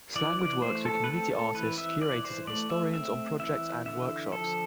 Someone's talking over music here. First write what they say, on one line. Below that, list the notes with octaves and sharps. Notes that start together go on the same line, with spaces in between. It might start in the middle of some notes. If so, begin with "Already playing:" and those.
Slanguage works with community artists, curators and historians on projects and workshops.
E3 D5
D5
A3 C5
A4
B4
C4 A4
A4
E3 B4
E5
E3 D5
C5
A3 D5
E5
C4 E5
E3 E5
D3 E5
F3 A4